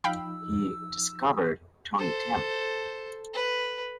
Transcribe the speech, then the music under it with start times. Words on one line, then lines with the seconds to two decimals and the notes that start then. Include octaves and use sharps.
He "discovered" Tiny Tim.
0.04 F3 D#4 F5 G5 B5 E6
1.98 A4 C5
3.33 B4